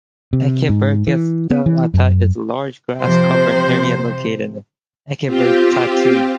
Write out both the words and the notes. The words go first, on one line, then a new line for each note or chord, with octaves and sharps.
Ekebergsletta is a large grass covered area located on Ekeberg plateau.
C3
G#2
E3
B3
E3
F#2
C3 F3 C5
C4 F4 G4